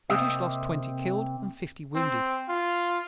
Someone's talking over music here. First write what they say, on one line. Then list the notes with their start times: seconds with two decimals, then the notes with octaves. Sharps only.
The British lost twenty killed and fifty wounded.
0.10 C3 A#3 C4 D#5 E5
1.95 C4
2.49 F4